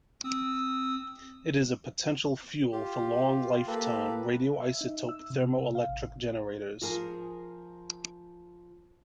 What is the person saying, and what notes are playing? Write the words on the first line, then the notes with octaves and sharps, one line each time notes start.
It is a potential fuel for long-lifetime radioisotope thermoelectric generators.
C4 D#6 E6
F4 G4
A#3 G4 A4 B4
E5
D#4
E6
C3
F5
A1
F3 F4 G#4 A#4